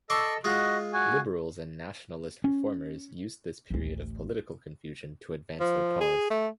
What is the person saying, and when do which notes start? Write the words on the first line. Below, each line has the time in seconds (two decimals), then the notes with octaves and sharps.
Liberals and nationalist reformers used this period of political confusion to advance their cause.
0.10 A4 D5 D#5 C6 C#6 E6
0.44 G#3 F4 F#4 D#5
0.93 F#4 G#5
2.44 C#4
3.70 A1 D2
5.60 F3
6.01 G#4
6.30 A3